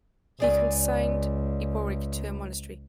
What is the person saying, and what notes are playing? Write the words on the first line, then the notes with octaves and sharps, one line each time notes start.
He consigned Eboric to a monastery.
C#2 G#4 D5 G#5